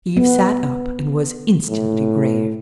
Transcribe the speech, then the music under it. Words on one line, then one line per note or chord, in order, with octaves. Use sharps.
Eve sat up and was instantly grave.
B3
A2